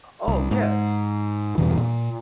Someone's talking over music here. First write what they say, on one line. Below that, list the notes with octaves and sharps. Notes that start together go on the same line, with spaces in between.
Oh, yeah.
C2
G#2
E2 G2 B2 E3
A#2